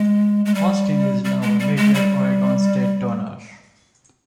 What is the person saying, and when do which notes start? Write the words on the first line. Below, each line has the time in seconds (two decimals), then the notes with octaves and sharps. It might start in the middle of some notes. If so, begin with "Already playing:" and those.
Austin is now a major Oregon State donor.
Already playing: G#3
0.45 G#3
0.55 G3
1.25 G3
1.42 G#3
1.59 G3
1.76 G#3
1.95 G3